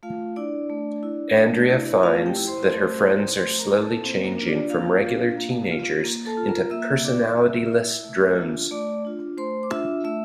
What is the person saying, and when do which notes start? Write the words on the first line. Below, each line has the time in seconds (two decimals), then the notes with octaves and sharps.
Andrea finds that her friends are slowly changing from regular teenagers into personality-less drones.
0.03 A3 F4 F5
0.36 D4 E4 D5
0.70 A3
1.03 E4
1.37 A3
1.70 E4
2.03 A3 F4 F5
2.26 G4 G5
2.37 E4
2.47 C5 C6
2.70 A3
3.04 E4
3.36 A3 C5 C6
3.59 A#4 A#5
3.71 E4
3.82 A4 A5
4.03 A#3 C4 C5
4.25 A#3 A#4
4.36 D4
4.42 F4
4.48 D4 D5
4.70 A#3 F4 F5
5.04 D4 F4
5.37 A#3
5.71 F4
6.04 A#3
6.26 A4 A5
6.37 F4
6.48 A#4 A#5
6.70 A#3 E5 E6
7.04 E4 D5 D6
7.37 A#3 E5 E6
7.71 E4
8.04 A3
8.38 D4 F4
8.71 A3 D5 D6
9.05 D4 F4
9.38 A3 C5 C6
9.63 D6
9.71 D4 F4 E5 E6
10.04 A3 E5 E6